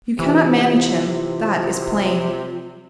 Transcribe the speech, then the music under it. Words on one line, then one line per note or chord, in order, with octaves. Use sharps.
"You cannot manage him; that is plain."
C3 E3 F4